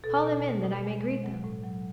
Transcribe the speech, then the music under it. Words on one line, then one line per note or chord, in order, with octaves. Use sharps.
"Call them in, that I may greet them."
B2 A4
B2
B2
B2
G#3
B2
F#3
A2
F#3